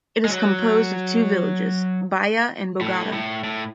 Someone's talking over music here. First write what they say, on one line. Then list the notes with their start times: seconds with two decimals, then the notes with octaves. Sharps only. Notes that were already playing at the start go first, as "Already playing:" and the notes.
It is composed of two villages, Baia and Bogata.
0.25 G#3
0.30 F#3
2.81 A2
3.13 A2
3.44 A2